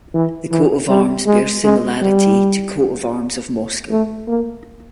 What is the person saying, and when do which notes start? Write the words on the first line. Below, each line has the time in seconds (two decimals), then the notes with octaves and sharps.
The coat of arms bears similarity to Coat of arms of Moscow.
0.14 E3
0.52 E3
0.89 G3
1.26 G#3
1.64 G#3
2.02 G3
3.91 A3
4.27 A#3